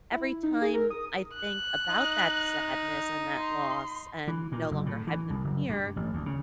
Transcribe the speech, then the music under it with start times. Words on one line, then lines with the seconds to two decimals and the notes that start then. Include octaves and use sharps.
every time I think about that sadness and that loss and no longer having them here,
0.11 E4
0.43 D#4
0.62 G#4
0.74 A#4
0.90 D#6
1.34 F#6
1.88 D#4
3.37 C6
4.28 E3
4.52 A#2
4.71 F#1
4.86 A2
5.07 E3
5.30 C2
5.44 F#1
5.69 G2
5.96 A1
6.13 D2
6.26 C#3